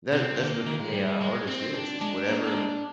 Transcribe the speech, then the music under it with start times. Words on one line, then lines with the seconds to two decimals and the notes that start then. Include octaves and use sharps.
that that's what an AI artist is. It's whatever
0.12 C3 C4
0.39 D3 A#3
0.66 D#3
0.80 G#3
0.93 G3
1.21 G#3
1.47 C4
1.74 D4
2.01 G#3 D4
2.28 A#3
2.44 A#3
2.55 G#3